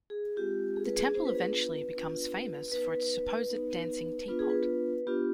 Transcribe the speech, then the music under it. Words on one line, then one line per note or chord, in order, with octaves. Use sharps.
The temple eventually becomes famous for its supposed dancing teapot.
G#4
G#3 C4 F4 G4
G#4
B4
G#4
B3 D4 F4 C5
B4
G#4
B4
B3 D4 F4
B3 D#4 B4
B3 D#4
B3 D4 F4 B4
G#4
B4
B3 D4 F4 G4